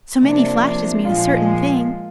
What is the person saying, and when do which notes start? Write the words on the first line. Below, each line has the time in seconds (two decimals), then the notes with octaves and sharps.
So many flashes mean a certain thing.
0.21 C3 F3 A#3 D4
1.05 A#2 F3 G#3 F4